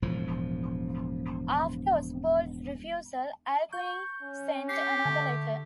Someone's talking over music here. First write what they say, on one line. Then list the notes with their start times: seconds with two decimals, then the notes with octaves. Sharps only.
After Osbald's refusal Alcuin sent another letter.
0.02 E1 A2 F3
3.73 C#6 G6
4.22 C#4
4.69 G4 C7 C#7
5.05 D3 A3